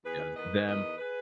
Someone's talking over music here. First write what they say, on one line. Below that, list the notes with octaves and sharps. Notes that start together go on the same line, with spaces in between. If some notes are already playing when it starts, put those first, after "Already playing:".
Yeah. Them
E2 G#4 B4
D#3 B4 D#5
E2 B4 D#5
G#4 B4